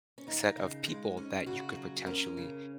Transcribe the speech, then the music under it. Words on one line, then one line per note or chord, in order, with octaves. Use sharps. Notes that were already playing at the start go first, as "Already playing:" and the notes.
set of people that you could, potentially,
C#4
D#2 D#4
C#3
G#3
C#4
C#3 F#4
F#3
C#4 A#4
C#3